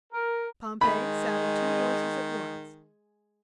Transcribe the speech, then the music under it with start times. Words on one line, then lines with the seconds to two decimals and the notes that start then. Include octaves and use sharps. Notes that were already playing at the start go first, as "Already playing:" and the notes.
Pompey, saddle two horses at once.
0.13 A#4
0.81 D#3 G#3 B5